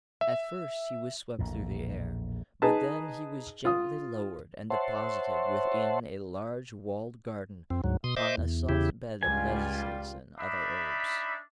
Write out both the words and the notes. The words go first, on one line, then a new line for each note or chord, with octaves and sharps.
At first he was swept through the air, but then he was gently lowered and deposited within a large walled garden, upon a soft bed of lettuces and other herbs.
E5
A#1 E2 A2
D#4 G#4 B4 A5
F4 D#6
C5 C#5 E5 F#5 A5 C6
F2 C4
D2 G#2 F#3
B2 C6 D#6
C5 D#5 E5 D6
E2
E2 C#3 E4 G4
C#2 G3 F4 G#5
D4 D#4 D5 E5 B5